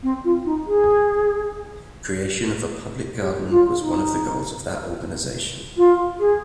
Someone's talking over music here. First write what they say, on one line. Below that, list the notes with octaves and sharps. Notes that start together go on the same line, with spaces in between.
Creation of a public garden was one of the goals of that organization.
C4
F4
D#4
G#4
G4
F4
D#4
F4
G#4